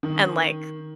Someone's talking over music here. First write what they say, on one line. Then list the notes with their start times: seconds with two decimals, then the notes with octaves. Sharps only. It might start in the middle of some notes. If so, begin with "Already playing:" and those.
and, like,
0.03 D#3